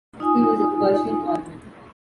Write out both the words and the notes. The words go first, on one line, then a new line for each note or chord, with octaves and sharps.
He was of Persian origin.
D#4 F4 G#5 D#6